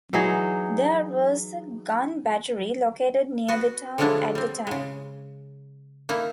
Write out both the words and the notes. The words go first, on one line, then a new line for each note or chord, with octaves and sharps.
There was a gun battery located near the town at the time.
E3 F#3 D#4 G#4
B3 F#4 B4
D3 F3 F#3 G#3 D4 E4
G3 C4
C#3 G#3
A#3 D#4 E4